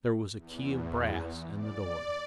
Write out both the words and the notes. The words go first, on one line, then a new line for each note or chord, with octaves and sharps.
There was a key of brass in the door.
E2
D5